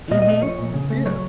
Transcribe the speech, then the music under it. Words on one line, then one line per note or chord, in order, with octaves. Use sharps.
Mhm, yeah.
A#2 D#5
D#5
A3
D#5
F3 C#5
A#2
C#3
A3
F#3 C#5